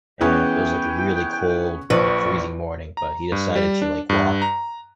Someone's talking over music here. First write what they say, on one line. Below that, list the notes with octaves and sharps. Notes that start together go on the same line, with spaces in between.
and it was, like, a really cold, like, freezing morning, but he decided to, like, walk
E3 B3 C#4 G#4 G5
A#1 F3 B4 C#6
A#5
G2
G3
D4
G2
A#5